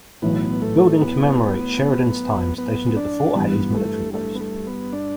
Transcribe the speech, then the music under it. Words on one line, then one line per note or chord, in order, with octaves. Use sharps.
The building commemorates Sheridan's time stationed at the Fort Hays military post.
B1 A2 E3 B3
A3
B3
B3
D4
G2 E3 G3 B3
A3
A3
B3
A3
B3
D4